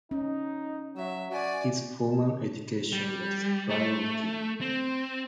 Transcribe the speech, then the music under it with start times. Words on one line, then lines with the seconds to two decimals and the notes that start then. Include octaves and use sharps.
His formal education was the priority!
0.11 C#4 D#4
0.96 F#3 E5
1.31 F#4 D5 G#5
2.92 G3
3.70 A3
4.61 C4